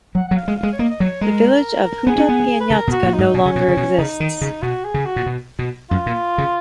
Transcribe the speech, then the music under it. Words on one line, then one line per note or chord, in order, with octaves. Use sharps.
The village of Huta Pieniacka no longer exists.
F#3 F#5
F#3 F#5
F5
G#3
F5
G#3
C#5
A#3 D#5
D#5
F#3 C#5
G#3 A#4
B3 G#4
C#4
B3
B4
C#3 A#4
B2
F#4
A#2
D#4
G#2
B2 C#4
C#3
B2
C#3
B2
C#3 D#4
D#3
C#3
B2 F#4
G#4
C#3
F#4
A#2
B2
B2
F#2 F4
A#2
C#3